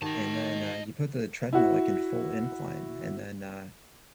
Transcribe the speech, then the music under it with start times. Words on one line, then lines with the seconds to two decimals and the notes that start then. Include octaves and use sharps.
and then, uh, you put the treadmill, like, in full incline, and then, uh,
0.02 D#3 F#4 G4 D#5 A5
1.53 E4 F#4